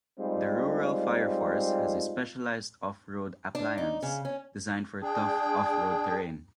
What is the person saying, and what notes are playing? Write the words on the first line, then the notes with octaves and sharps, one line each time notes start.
The rural fire force has a specialised off-road appliance designed for tough off-road terrain.
G3 G#3 C4 D#4 F4
D4
D#4
C#3
C#4
D4 G#4 G5